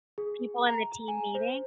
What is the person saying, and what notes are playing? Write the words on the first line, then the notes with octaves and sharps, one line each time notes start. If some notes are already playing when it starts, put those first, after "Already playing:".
people in the team meeting?
G#4
A#5
G#5
C5